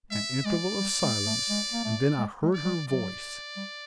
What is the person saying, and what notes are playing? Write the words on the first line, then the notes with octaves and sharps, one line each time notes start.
An interval of silence, and then I heard her voice.
G#3 E5
G#3 D5
G3
G#3
A3
G#3
A#3
A3
G#3
G#3
D5
G3
F#3 D5
G3